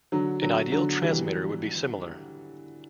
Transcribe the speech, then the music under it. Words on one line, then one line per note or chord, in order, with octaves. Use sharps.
An ideal transmitter would be similar.
D3 F#3
D3 F#3
D3 F#3
E3 G3